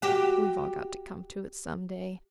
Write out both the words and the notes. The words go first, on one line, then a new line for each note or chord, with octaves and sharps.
We've all got to come to it some day.
F#4 G4